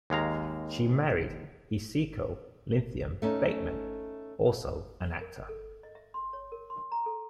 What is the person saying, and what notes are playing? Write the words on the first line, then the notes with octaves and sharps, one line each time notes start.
She married Hezekiah Linthicum Bateman, also an actor.
D#2 G#3 F5 A#5
A3 C#4 D#4
A#4
A4
D#5
E5
C6
C#5
A#4
C6
A#5
A4